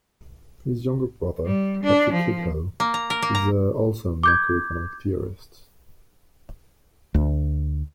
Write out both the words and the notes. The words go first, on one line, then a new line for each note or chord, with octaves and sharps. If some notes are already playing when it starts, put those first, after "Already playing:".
His younger brother, Patrick Kehoe, is also a macroeconomic theorist.
G3
D4
F3
A#3
A#5
A#4
A#3
A#5
D6 G6 G#6
D2